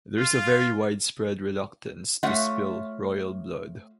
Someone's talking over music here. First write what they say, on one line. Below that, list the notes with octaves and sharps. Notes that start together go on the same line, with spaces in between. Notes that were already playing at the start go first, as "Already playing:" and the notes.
There is a very widespread reluctance to spill royal blood.
F4
A3 F4 C#5 E5 F#5